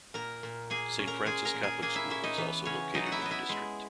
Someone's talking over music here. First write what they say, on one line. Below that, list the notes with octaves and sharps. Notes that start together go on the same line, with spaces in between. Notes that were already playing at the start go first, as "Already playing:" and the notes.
Saint Francis Catholic School is also located in the district.
A#2 A#4 A#5
A#2
A#3 G#4 G#5
C#4
A#4 A#5
G#3 G#4 G#5
A#4 A#5
A#2
G#4 G#5
A#3 G#4 G#5
E4 E5
C#4 E4 E5
D#4 D#5
E3 B3 B4
C#3 C#4 C#5
F#3 D#4 D#5
F#5
E4 E5
B3 D#5
E4 E5
G#3